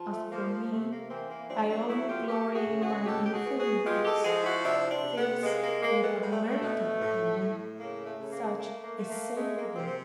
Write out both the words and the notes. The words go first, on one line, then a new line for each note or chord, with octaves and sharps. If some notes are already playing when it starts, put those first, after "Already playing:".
As for me, I only glory in my infirmities, since they have merited for me such a Saviour!
Already playing: F3
A3
F3 A#3
A#3
C3 A3
A#3
E3 A#3 C4
A#3
F#3 C4 D4
C4 D4
A3 E4 F#4
F4 G4
A3 G4 A4
F#4 G#4
C#3
F#4 G#4
B2 G4 A4
G4
F#4 G#4
B2
F#4 G#4
G#3 F4 G4
G4 A4
F3 F#4 G#4
E4 F#4
C3 D4 E4
C4 D4
C3
A3 B3
G#3 A#3
A#3
G#3 A#3
A3 B3
G3 A#3
A3
A3
B2
A2
A2
C#3 A#3
A3
C#3
A#3
A3 A#3
A#3
A3
A#3
G#3 A3
A#3
C3 A#3 C4
C4